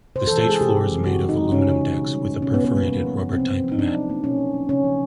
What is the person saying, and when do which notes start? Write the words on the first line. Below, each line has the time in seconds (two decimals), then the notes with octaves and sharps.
The stage floor is made of aluminum decks with a perforated, rubber-type mat.
0.16 C3 C5
0.27 A4
0.31 E3
0.38 A4
0.46 G#3 G#4
0.61 C3 G4
0.77 C3
0.91 E3
1.06 C#3 F#4
1.21 E3
1.29 D#4
1.37 G#3
1.52 C#3 C#4
1.68 C#3
1.82 E3
1.98 B2
2.12 G3
2.27 A#3
2.42 B2 C#4
2.54 B3
2.58 B2
2.65 B3
2.73 G3 A#3
2.88 C3 B3
3.03 F3
3.19 A#3
3.33 C3 C4
3.49 C3
3.64 F3
3.72 D#4
3.78 B2 D4
3.94 F#3
4.10 A#3
4.24 B2 C#4
4.39 B2
4.54 F#3
4.69 C#3 C#4
4.84 F3